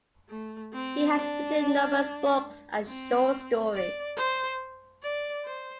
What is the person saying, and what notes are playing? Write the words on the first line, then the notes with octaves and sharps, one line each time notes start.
He has written numerous books and short stories.
A3
C4
D4
C4
D5
C5
D5
C5